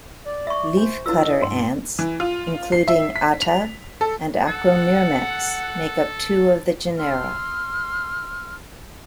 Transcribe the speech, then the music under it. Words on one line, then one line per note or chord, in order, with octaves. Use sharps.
Leafcutter ants, including "Atta" and "Acromyrmex", make up two of the genera.
D5
E5 C#6
C5 G#5
E4 F4 B4 E6
D#5
G2 C6
E3
F4
C7
E5
B6
F7
A4
A4 F#5
C6 E6 F6